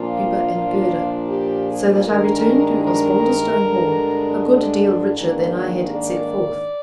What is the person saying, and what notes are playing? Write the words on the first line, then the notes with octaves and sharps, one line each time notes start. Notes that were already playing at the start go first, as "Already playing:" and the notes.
Hooper and Girder, so that I returned to Osbaldistone Hall a good deal richer than I had set forth.
Already playing: A#2 F3 A#3 D4 F4
A#2 F3 A#3 D4
G4
G#4
G2 D#3 G#3 D4 A#4
A#4
G2 D3 G#3 D4
G#2 D#3 A#3 D4
D5